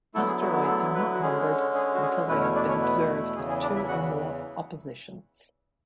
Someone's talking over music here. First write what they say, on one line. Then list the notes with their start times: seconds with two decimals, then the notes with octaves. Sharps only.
Asteroids are not numbered until they have been observed at two or more oppositions.
0.14 D3 F#3 A3 B3 E4 A4
0.27 G#4
0.42 F#4
0.62 G#4
0.68 A3 A4
0.95 B3 B4
1.15 F#4
1.21 D3 G#3 C#4 G#4
1.75 G#4
1.95 F#4
2.02 G#4
2.28 E2 B2 A3 B3 C#4 E4 B4
2.42 C#4 C#5
2.55 D4 D5
2.69 C#4 C#5
2.82 B3 B4
3.35 E2 C#3 E3 G#4
3.49 G#4
3.62 D4 D5
3.75 E4 E5
3.88 F#4 F#5